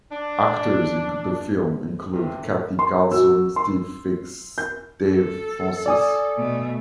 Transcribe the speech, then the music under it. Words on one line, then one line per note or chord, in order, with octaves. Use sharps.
Actors in the film include Cathy Carlson, Steve Fix, Dave Fraunces.
D4
G2 C3
C6
F#4 E6
C6
G6
A4
D5 G#5 D#6
B2 A3